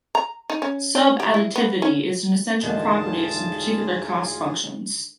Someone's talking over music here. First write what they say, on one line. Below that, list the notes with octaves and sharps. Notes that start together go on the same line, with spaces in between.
Subadditivity is an essential property of some particular cost functions.
A#5
D#4
C#4
D4
G4
E4
B3
C#4
E1 A1 D3 D#3 F4 G#4 A5